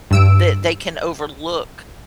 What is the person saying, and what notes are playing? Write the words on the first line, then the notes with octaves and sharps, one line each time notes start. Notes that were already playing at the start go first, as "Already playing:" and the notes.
that they can overlook,
G2 E6 D7